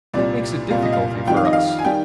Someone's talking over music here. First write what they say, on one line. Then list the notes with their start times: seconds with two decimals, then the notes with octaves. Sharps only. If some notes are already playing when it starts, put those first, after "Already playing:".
That makes a difficulty for us.
0.14 C2 A#2 G3 D5
0.70 C2 A#2 G3 F5
0.82 D#5
0.93 F5
1.27 F2 D#3 G3 G5
1.37 F5
1.45 D#5
1.53 F5
1.79 G#5
1.85 D#3 G3 G5